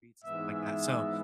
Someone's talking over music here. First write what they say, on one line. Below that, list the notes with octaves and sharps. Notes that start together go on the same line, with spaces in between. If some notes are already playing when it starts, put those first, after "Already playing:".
streets, and stuff like that. So,
G#2 E3 G#3 B3 E5
E5